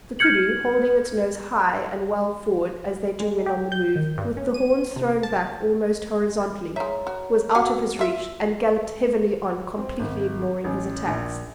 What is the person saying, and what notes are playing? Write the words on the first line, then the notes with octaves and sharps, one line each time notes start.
The koodoo holding its nose high and well forward, as they do when on the move, with the horns thrown back almost horizontally, was out of his reach and galloped heavily on completely ignoring his attacks.
F6 G6 G#6 C#7 F#7
G#3
G4
G6
D#3
G2
C#4
D#7
C3
A5
G#3 C#5 E5 A#5
F#4
G3 F#4 F#5 G#5
F4 E5
C4
G#1
A1
A#1